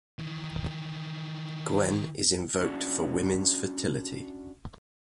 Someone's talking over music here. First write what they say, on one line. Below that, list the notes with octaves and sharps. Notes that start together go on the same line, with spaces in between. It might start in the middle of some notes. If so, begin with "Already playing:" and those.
Gwen is invoked for women's fertility.
D#3 E3
C#4 D4 E4 F#4